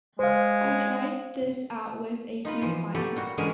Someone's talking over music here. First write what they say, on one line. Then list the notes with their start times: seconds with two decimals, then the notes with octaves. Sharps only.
I tried this out with a few clients.
0.19 G#3 C5 F5
2.45 D#4 F4 B4
2.61 E3 F3
2.94 F#3 A3 G4 A4 B4
3.16 A#2 G3 F#4
3.38 D3 E3 G#3 C#4 G#4 A#4